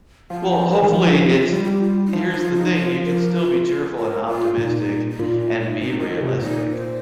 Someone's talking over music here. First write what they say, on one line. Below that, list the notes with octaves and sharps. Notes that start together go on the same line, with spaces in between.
Well, hopefully, it's here's the thing, you can still be cheerful and optimistic and be realistic.
F3 F4
C5
A#4
D#3
F3 F4
D#4
F4
G3 F4
F4
G4
F4
D#4
F3 F4
D#4
F4
D#4
F4
A#4
F4
F4
A#4
F4
A#2 D#4
D#4
A#2 F4
F4
D#4
C3 D#4
D#3 F4
C3
A#2 D#4
C5